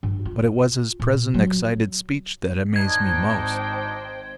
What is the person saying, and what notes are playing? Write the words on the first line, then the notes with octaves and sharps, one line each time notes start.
But it was his present excited speech that amazed me most.
G2
F4
A#2
F#3
G#1 D4 D#4 C5 G5 G#6